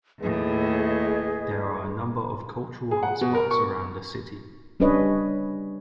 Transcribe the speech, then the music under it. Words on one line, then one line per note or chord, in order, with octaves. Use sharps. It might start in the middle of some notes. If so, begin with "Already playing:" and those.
There are a number of cultural hot spots around the city.
D#2 A2 G#4 B4 D#5
G#4
F#5
B2
A#4
C#6
G3 C#4 D4 B4 C#5 D#5